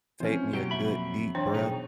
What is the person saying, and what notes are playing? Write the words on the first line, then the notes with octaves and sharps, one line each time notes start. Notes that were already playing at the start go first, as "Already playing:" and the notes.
take me a good deep breath,
E3 F3 C4 C#4 C5
B2 F#3 A#3 G4 G5
F2 E5 B5
E3 D4 C#5 G5
B2 F#3 D#4 G#4 G5